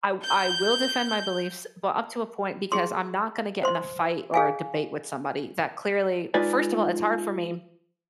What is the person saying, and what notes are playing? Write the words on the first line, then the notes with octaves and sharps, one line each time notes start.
I I will defend my beliefs, but up to a point, because I'm not gonna get in a fight or a debate with somebody that clearly first of all, it's hard for me
G6
G#4 C6
C5 C6
G#4 F5 G#5
G#3 D#4 F4 B4 D5 G#5